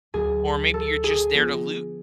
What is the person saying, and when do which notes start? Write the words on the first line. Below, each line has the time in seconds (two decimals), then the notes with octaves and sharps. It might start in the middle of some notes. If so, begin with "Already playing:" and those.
or maybe you're just there to loot,
0.14 D2 D3 F#3 G#4
0.74 A4
1.04 G#4
1.33 D3 F3 B3